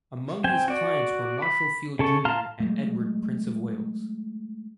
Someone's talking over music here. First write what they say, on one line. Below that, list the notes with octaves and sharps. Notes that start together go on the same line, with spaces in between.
Among his clients were Marshall Field Junior and Edward, Prince of Wales.
C4 G5 G#5
F#4 D5
B5
C#3 A4 C#6
F5 A5 A#5 C6 F6
F#3 G#3 A3